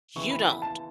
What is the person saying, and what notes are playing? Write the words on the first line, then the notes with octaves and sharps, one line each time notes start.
You don't.
D#2 C#3 E3 B3 E4 C#6
B5
B5
A5